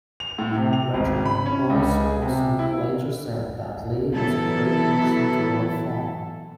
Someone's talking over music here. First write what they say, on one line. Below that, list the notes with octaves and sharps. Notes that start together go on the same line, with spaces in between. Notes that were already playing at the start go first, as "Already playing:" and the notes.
Veteran Roy Sproson later said that Lee was a great person to work for.
F7
A2
C3
F7
G#1
B5
C#4
C#2
G#4
C3
E4
E3 F#3 B3 E4 A4